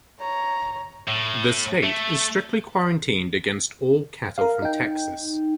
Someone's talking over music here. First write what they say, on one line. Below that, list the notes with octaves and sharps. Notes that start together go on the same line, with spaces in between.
The state is strictly quarantined against all cattle from Texas.
C#5 A#5
A2
A3
A#4 F5
D#4 G5